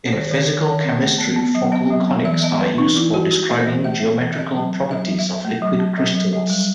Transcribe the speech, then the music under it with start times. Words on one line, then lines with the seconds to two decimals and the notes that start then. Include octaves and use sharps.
In Physical chemistry focal conics are used for describing geometrical properties of liquid crystals.
0.12 D#3 C5
0.31 D#3
0.48 D#3
0.66 D#3
0.84 C4
1.01 A3
1.18 B3
1.36 B3
1.55 F#3
1.72 B3 D#5
1.90 F#3
2.08 B3
2.25 E3 E5
2.43 B3 D#5
2.61 B3 B4
2.78 E3 D#4
2.96 E3 E4
3.14 E3 F#4
3.31 E3 F#4
3.49 A3 E5
3.59 C5
3.66 E3 D#5
3.84 A3 E5
4.02 C4
4.20 E3
4.32 E5
4.38 C4 D#5
4.55 F#3
4.73 C4
4.91 F#3 E5
5.09 F#3
5.19 E5
5.27 F#3
5.45 A3
5.62 F#3
5.79 C4
5.98 F#3
6.15 F#3
6.33 F#3
6.50 G3